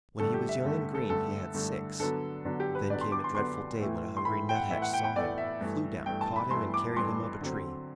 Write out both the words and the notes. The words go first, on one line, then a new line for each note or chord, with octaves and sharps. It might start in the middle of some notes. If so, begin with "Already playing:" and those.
When he was young and green he had six, then came a dreadful day when a hungry Nuthatch saw him, flew down, caught him, and carried him up a tree.
G2 D3 A3 A4
G4
E5
G2 D3 A3
A4
G2 D3 A3 A4
G2 D3 A3
D3 F#3 B3 D4 A4
D3 F#3 B3 D4
G4
B4
D3 F#3 B3 D4 D5
C6
D6
C6
D3 F#3 B3 D4 C6
A2 E3 A3
C6
A2 E3 A3 B5
G5
F#5
A2 E3 A3 E5
F#5
G5
G5
A2 E3 A3 D5
E5
G2 E3 A3
G2 E3 A3 G5
A5
B5
G2 E3 A3 C6
D6
G2 E3 A3 C6
D3 F#3 C4